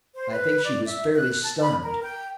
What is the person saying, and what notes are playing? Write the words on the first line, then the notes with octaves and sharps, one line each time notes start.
I think she was fairly stunned.
C5
B4
D5
E5
F#6
A5
B5
A#4
G5